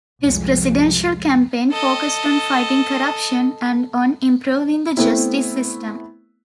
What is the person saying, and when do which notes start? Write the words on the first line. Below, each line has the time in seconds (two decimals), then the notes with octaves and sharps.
His presidential campaign focused on fighting corruption and on improving the justice system.
0.23 C2 F2 G#3
1.72 A4 D#5
4.97 A3 B3 C4 E4